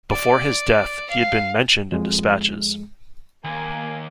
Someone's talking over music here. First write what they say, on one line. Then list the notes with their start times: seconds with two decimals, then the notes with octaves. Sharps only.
Before his death, he had been Mentioned in Despatches.
0.10 D5
1.10 F5
1.92 F2 G#3
3.44 D#2 A#3 G#5